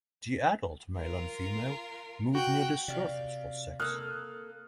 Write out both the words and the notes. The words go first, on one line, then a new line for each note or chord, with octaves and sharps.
The adult male and female move near the surface for sex.
F4 A#4
F#4 G5 F#6
C3 D5 F5
A#3 A4 D#6 F6 F#6